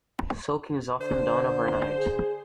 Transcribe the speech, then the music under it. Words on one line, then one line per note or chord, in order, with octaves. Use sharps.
Soaking is often done overnight.
D3 C5
G#4